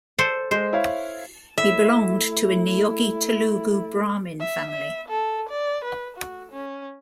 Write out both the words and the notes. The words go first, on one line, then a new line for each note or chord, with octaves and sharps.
He belonged to a Niyogi Telugu Brahmin family.
A4 C5 D5
G#3 C5
E4 C#5 F5
A3 E4 E5
E5
E5
A4
D5
B4
F#4
C#4